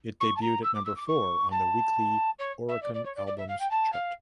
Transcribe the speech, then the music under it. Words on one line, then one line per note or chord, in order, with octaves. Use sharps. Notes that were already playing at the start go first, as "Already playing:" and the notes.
It debuted at number four on the weekly Oricon Albums Chart.
C#6
A5
A#5
E6
D6
E6
D6
C#6
A5
C#5
E5
D5
D5
C#5
D5
D5
E5
F5
G5
A5
F5